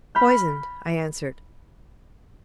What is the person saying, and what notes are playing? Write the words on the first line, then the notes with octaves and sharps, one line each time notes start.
'Poisoned,' I answered.
B5 F6 G6